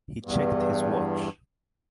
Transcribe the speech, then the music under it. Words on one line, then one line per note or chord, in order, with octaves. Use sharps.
He checked his watch.
E2 G2